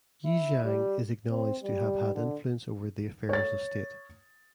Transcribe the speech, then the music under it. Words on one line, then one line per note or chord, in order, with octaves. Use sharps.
Yi Jiang is acknowledged to have had influence over the affairs of state.
E4
G3
C4
G3
D3
C#5 A6